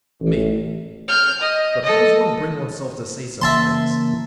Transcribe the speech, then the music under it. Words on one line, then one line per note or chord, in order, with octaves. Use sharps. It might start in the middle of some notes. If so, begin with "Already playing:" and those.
ME: But how does one bring oneself to say such things?
A1
F6 G6
D#5
A4 D#5
C#3 E3 A#3 E5 A5 C6